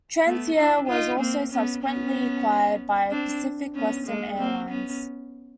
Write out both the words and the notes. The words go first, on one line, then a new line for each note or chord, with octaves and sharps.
Transair was also subsequently acquired by Pacific Western Airlines.
A3 B3
D4 E4
D#4 F4
A#3 C4
B3 C#4
B3 C#4
C4 D4
B3 C#4
G#3 A#3
A#3 C4
B3 C#4